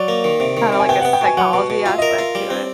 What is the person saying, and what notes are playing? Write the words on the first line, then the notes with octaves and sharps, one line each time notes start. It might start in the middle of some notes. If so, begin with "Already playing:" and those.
kinda like a psychology aspect to it.
Already playing: F#3 D5
A#3
D#3
C3
D#3
C3
G#5
B3 G5
B3 F#5
G5
B2 G#5
F#3 F#5
B2
B2
F4 E5
A#4 D#5
E5
F4
G3
C4